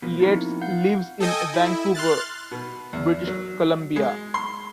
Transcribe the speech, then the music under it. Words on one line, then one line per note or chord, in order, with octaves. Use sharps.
Yates lives in Vancouver, British Columbia.
B2 F3 A#3
C4 D#4 E4
F5 F#5 G6
A4 D#5 G5 G#5 D#6
E4
C6 F6 F#6 A6
B2
E2
F#3
G#3
C6